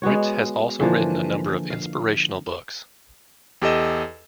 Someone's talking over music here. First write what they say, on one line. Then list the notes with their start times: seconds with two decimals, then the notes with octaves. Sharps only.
Ritz has also written a number of inspirational books.
0.02 G#3 B3 F#4 C#5
0.80 D3 E3 F3 A#3
1.70 F5
3.62 E2 G4 A4 D#5 E7